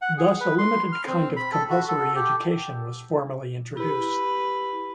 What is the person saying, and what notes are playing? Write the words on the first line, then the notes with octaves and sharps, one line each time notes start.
Thus, a limited kind of compulsory education was formally introduced.
F#5
G#4
B4
C6
F6
C4
B5
A4
F#4
A4
G4
E4 G4 B4